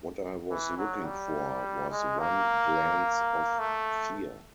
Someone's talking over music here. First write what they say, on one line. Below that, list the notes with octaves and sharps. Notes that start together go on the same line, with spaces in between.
What I was looking for was one glance of fear.
E3
F#3
G3
G#3
A#3
A3